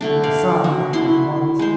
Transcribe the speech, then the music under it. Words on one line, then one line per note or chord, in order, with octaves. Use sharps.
The sun came at once.
D3 A3 D4
D5 F5
F#4
E4 C6
G#3 C5